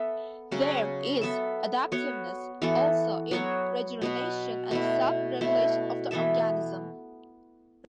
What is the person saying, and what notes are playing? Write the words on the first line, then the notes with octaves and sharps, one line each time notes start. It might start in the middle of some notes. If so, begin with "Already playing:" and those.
There is adaptiveness also in regeneration and self-regulation of the organism.
Already playing: B3 A4 E5
C#3 F#3 C#4 F#4
B3 A4 E5
B3 F#4 C#5
E3 B3 F#4 A4
F#3 B3 F#4 C#5
B2 B3 F#4
B2 A3 E4
B2 A3 E4
E3 B3 A4 E5